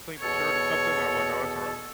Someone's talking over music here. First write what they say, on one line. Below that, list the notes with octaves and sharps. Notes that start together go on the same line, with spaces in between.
clean the shirt or something?" I was like, "No, it's alright."
E2 B2 A4 C#5